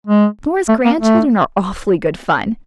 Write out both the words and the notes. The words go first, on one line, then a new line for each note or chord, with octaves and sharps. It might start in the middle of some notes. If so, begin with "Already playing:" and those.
Nora's grandchildren are awfully good fun.
G#3
A3
A#3
A3